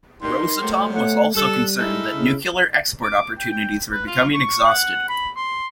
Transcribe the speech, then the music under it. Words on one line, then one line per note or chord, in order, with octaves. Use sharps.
Rosatom was also concerned that nuclear export opportunities were becoming exhausted.
G2 D#4 A#4 G5 C6
C3 F3 F#3 A3
A3 C#5 F#5
G3 A4 F#6
G#3 D#4 E4 A4 F6
C#3
D6
G5
G5
B4
F4
C#6
F#5
B5
C6